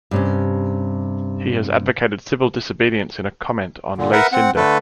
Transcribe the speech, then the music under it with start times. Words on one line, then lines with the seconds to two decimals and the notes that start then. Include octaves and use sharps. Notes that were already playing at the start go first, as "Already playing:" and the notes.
He has advocated civil disobedience in a comment on Ley Sinde.
0.11 G2 C3 C#4
3.98 A#2 D3
4.13 A#4 B4 E5 F#5
4.32 C4 F#5
4.56 D3 A3 A4 B4